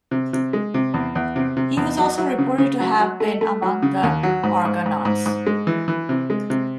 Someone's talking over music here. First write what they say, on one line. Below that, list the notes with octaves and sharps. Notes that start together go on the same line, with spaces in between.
He was also reported to have been among the Argonauts.
C3
C3
G#3
C3
E2
E2
C3
C3
E2
F#3
F#3
C#3
C#3
F#3
F#3
A3
A3
F#3
C#3
D#2
F#3
G#2
G#2
G#2
G#2
G#2
G#3
E3
E3
C3
G#3
C3